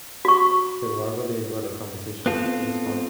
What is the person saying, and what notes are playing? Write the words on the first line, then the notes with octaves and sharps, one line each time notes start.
Yeah, well, I really enjoyed our conversation, it was fun.
F#4 C#6
B3 C4 F4 A4